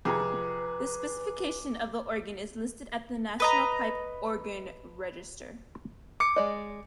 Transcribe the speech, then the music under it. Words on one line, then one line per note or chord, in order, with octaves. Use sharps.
The specification of the organ is listed at the National Pipe Organ Register.
F2 C3 F3 G#4 B4 A#5 D6
B4 D#5 A#5
D6 C#7
G#3 D5 D#5